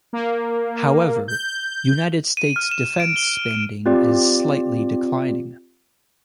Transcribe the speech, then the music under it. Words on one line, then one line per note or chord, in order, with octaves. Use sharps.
However, United States defense spending is slightly declining.
A#3
G6
D#7
F6
E7
D7
G7
D7
C4 F4 G4 D5